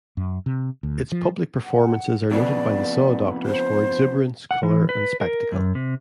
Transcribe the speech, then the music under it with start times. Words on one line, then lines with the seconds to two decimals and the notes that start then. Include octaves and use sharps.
Its public performances are noted by The Saw Doctors for exuberance, colour and spectacle.
0.17 F#2
0.46 C3
0.83 D2
1.12 F3
1.64 F#5
2.31 F2 C#3 B3 D5
3.46 C5
4.51 F#5
4.63 E3
4.89 B4
5.20 A#4
5.52 F#2
5.75 C3